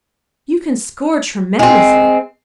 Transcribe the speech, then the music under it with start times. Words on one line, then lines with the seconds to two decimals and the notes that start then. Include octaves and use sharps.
You can score tremendously.
1.59 G#3 C4